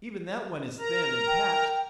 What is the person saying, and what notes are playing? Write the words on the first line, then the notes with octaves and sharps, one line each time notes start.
Even that one is thin and patched.
A#4 A#5
G5